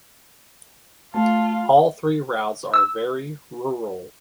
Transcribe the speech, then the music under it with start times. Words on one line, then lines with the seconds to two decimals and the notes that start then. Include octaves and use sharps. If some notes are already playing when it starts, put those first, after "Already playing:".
All three routes are very rural.
1.14 A3 F4 A5
2.74 E6